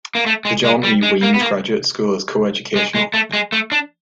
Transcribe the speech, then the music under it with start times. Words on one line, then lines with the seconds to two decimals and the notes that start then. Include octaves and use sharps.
The John E. Weems Graduate School is coeducational.
0.15 A#3
0.26 A3
0.45 G#3
0.64 G#3
0.83 G3
1.03 G#3
1.23 A#3
1.34 B3
1.41 A#3
2.76 G#3
2.95 G#3
3.14 A3
3.33 G#3
3.52 A3
3.72 D4